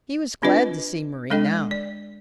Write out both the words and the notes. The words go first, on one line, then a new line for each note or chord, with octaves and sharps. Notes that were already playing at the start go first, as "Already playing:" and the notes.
He was glad to see Mari now.
C4 D4 F4 B4 D#5
G#3 D4 A4 D#5 G5
D5